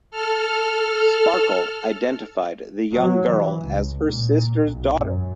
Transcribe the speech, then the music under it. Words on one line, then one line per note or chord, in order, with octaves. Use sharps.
Sparkle identified the young girl as her sister's daughter.
A4 F6
F#3
E3
C#2
A#2
B1
F#2